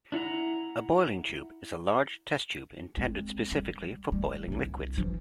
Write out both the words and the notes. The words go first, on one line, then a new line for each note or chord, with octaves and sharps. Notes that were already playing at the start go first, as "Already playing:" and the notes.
A boiling tube is a large test tube intended specifically for boiling liquids.
D4 E4 F#5 A#5
G#3 C4
G3
G3 A3
D#1 C2
E3 F3